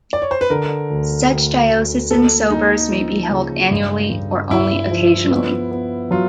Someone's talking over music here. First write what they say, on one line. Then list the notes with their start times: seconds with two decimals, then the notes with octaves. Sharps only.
Such diocesan sobors may be held annually or only occasionally.
0.13 D5
0.22 C#5
0.31 C5
0.41 B4
0.50 D3 A#4
0.90 D2
1.30 D2
1.71 D2
2.10 A#3 A4
2.50 A#3 D#4
2.90 F3
3.31 C#3
3.71 G2
4.11 G2
4.51 G2 E4
4.91 F3
5.31 B3
5.71 B3
6.11 F#3 F4